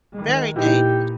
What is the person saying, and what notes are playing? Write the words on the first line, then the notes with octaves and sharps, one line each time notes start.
Very dangerous.
D#3 G#3
A#2 E3 D#4 G4